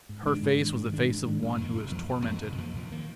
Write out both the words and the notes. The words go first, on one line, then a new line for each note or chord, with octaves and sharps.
Her face was the face of one who is tormented.
G#2
D#3 G#3 D4
G#2
D#3 G#3 D4
G#2
D#3 G#3 D4
G#2
D#3 G#3 D4
F1
F2 F3 A#3
F1
F2 F3 A#3
F1
F2 F3 A#3
F1
F2 F3 A#3
A#1
D#3 A#3